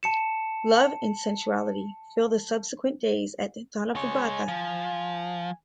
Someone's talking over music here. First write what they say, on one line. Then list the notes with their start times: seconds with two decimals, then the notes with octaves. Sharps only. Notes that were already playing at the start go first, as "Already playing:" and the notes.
Love and sensuality fill the subsequent days at Donnafugata.
0.03 A5 C#7 E7
3.96 G#3 C#5 G#5
4.48 F3